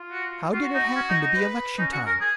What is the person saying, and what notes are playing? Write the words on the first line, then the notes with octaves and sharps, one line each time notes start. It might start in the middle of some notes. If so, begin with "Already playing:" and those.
How did it happen to be election time?
Already playing: F4
F#4
F4 F#4
D#4
C#4
D#4
D#4
B4
C#4 D#4
F#4
A#4
G#4